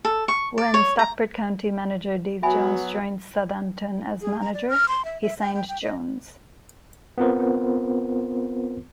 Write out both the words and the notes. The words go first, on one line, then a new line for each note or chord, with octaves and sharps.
When Stockport County manager Dave Jones joined Southampton as manager, he signed Jones.
A4
C#6
D5
C#5
A#5
F#3 B3 F#4 E5 G#5 B5
G#4
A#5
D5
F6
C6
E5
E5
G5
G5
G5
D#5
B3 C4 F4 A#4 C5